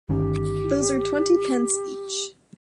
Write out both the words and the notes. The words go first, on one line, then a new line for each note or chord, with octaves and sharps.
Those are twenty pence each.
G1 D#3 C#4 G4